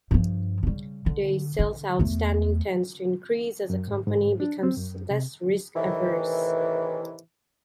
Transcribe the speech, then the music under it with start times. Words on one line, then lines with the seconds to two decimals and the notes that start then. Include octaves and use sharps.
Days sales outstanding tends to increase as a company becomes less risk averse.
0.11 G2 F3
0.63 C#3 G3
1.06 D3
1.59 D3
1.99 E2 A3
3.70 F#2
3.88 G#2
4.07 G#2
4.40 D4
4.63 C4
4.77 F#2
5.11 C3
5.76 A2 C3 D#3 E3